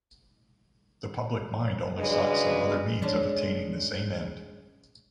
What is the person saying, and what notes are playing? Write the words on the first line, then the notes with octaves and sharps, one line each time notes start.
The public mind only sought some other means of attaining the same end.
C#3 F#3 G#3 D4 B4
G#3 C#4 D4